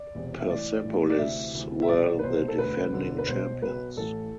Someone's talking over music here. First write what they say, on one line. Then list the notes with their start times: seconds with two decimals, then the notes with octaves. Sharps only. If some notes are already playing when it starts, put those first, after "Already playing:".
Persepolis were the defending champions.
Already playing: D5
0.15 E1 E2 C3 E3
0.40 E5
0.49 A1 A2 E3 D5
0.84 A1 A2 E3
1.09 D5
1.19 D2 C3 E3 E5
1.54 D2 C3 E3
1.82 E5
1.88 C2 B2 D5
2.19 B4
2.23 C2 B2 C5
2.48 A4
2.58 E1 D2 D3 B4
2.92 E1 D2 D3
3.18 B4
3.27 B1 B2 C5
3.62 B1 B2 B4
3.97 A1 A2 E3 A4